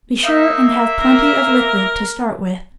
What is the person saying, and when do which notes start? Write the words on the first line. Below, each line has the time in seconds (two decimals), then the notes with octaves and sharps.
Be sure and have plenty of liquid to start with.
0.24 A#3 D#4 E5
0.99 A#4